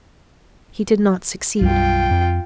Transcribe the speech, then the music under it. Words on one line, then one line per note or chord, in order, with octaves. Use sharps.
He did not succeed.
B1 F#2 G3 F4 G5
F2